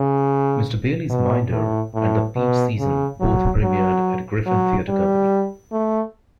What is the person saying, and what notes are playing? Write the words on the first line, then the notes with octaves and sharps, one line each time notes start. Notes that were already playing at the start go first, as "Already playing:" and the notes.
"Mr Bailey's Minder" and "The Peach Season" both premiered at Griffin Theatre Company.
Already playing: C#3
B2
A2
A2
B2
C#3
F#3
F#3
F#3
G3
A3